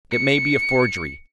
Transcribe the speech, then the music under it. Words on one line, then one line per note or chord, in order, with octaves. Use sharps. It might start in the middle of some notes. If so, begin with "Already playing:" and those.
It may be a forgery.
C#7